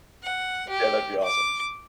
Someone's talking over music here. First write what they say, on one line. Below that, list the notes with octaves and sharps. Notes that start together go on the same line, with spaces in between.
yeah that'd be awesome.
F#5
G4
D6